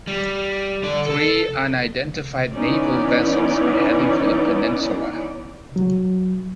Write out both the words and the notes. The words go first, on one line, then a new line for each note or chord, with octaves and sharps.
Three unidentified naval vessels are heading for the peninsula.
G3
D3 D5
A4 A5
E3 B3 C#4 D#4 D5
F#3